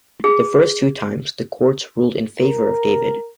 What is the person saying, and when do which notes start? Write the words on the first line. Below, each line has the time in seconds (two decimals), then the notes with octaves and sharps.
The first two times, the courts ruled in favor of David.
0.24 G#4
2.40 A#4